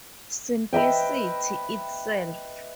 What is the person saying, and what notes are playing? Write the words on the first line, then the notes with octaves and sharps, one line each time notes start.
Simplicity itself.
B4 D#5 E5 G5